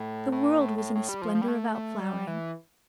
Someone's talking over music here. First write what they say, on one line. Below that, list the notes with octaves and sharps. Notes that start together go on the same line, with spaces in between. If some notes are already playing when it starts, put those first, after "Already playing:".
The world was in a splendor of out-flowering.
Already playing: A2
A2
A#2
A2
A2
A2
G3
F3
F3
G3
A3
A3
G3
E3